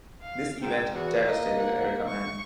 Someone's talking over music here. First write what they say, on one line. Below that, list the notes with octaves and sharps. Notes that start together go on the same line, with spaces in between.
This event devastated Erika Mann.
F5
G#2 G5
E2 F#4
A#3 D#5
F#5
C#6